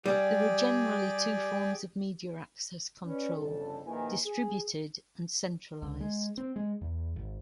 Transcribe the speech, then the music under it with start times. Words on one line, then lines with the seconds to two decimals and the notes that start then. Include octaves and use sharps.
There are generally two forms of media access control: distributed and centralized.
0.06 G3 G4 G#4 D5
3.05 C#4 B4 D5
3.36 G1 F2 C#3 A4
3.86 A#1 D#3 A#3 E4 B4 G#5
4.26 G#4
5.82 C#2
6.00 G#3
6.38 C4
6.56 G#3
6.81 E2
7.16 G#1